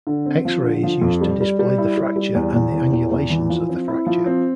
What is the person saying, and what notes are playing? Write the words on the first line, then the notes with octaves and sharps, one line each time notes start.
X-ray is used to display the fracture and the angulations of the fracture.
D3
C4
F3
D3
F3
F2
G3
G3
G3
E4
G3
G3
E2
E2
E3
E2
E2
E3
F3
C4
E4
F3
C4